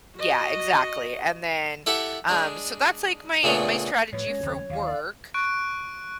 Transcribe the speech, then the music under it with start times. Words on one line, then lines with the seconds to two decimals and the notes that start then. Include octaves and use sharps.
Yeah, exactly, and then, um so, that's, like, my my strategy for work,
0.17 F#4 D#5
1.86 E4 G4 A4 E5 F#5 A5
2.29 G#3 D4
3.43 A#2 C#3 A3 B3 D4
4.13 A2 F3 B4 C#5
4.27 G#3 C#4
4.43 F#1 D#2
4.70 D#2 E3 F5
4.86 D5
5.34 C#6 F#6 D7